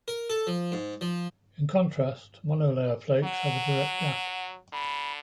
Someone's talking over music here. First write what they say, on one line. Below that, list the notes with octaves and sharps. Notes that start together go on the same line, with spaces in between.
In contrast, monolayer flakes have a direct gap.
A#4
A4
F3
G#2
F3
F#3 F#5
D3 B5